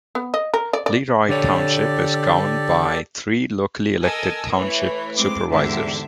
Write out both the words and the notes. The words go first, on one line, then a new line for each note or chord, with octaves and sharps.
Leroy Township is governed by three locally elected Township Supervisors.
B3
D#5
A#4
D5
D5
D3 G4 A4 C#5 D5
A4 A#4 D#5 G#5 E6
E3 A3 C#5
G#3 C4 D6
E2 G#2 D3 G4 E5